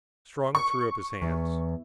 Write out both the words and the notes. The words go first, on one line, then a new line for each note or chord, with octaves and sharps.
Strong threw up his hands.
C#6
E2